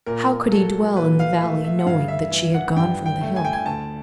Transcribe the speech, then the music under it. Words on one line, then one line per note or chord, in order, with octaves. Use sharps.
How could he dwell in the valley knowing that she had gone from the hill?
A#2 A#4
F#3 A4
A#2 B4
F5
A3 E5
E5
F#5
G2 F5
E5
E3
F#5
G2 G5
G5
A3
G#5
G5
G#5
D2 A5